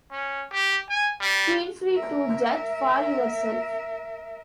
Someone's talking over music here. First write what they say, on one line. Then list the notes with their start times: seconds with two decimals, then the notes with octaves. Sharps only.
Feel free to judge for yourself.
0.12 C#4
0.52 G4
0.90 G#5
1.21 G3
1.91 A#4 E5